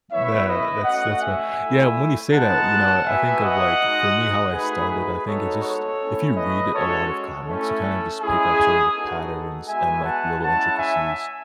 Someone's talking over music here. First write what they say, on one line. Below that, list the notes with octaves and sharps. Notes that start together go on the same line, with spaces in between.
Tha that's that's what. Yeah. When you say that, you know, I think of, like, for me, how I started, I think it just if you read a lot of comics, you kind of just pick up sort of the patterns and, like, little intricacies
B3 E4 C#5 E5
B4 D#5
A3 C#4 F#4 D#5 F#5
E5 G#5
A3 E4
G#3 B3 D#4 F#4 F#5 A5
B3 F#4 E5 G#5
D#5 F#5
G#3 D#4 F#4
A3 D#4 F#4 G#4 B4
G#4 B4
G#3 B3 D#4 F#4 A4 C#5
A4 C#5
A3 C#4 E4
B4 D#5
G#3 C#4 F#4 A4 C#5
A3 C#4 E4 A4
G#3 C#4 E4 G#4
B3 D#4 F#4 A4
G#3 B3 F#4 E5 G#5
F#5 A5
G#3 C#4 E4 F#5 A5
E5 G#5